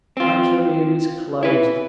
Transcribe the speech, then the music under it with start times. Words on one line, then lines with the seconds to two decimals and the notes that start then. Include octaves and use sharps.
My career is closed.
0.17 C4 F4
1.43 E4 B4